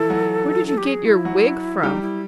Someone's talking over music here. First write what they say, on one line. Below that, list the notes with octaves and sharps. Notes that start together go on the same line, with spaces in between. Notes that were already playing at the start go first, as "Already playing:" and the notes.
Where did you get your wig from?
Already playing: E3 F3 E4 F4 A4
F#3 F#4
A4
G4
G#4
E4
F#3 F#4
G3 D#4 G4
E4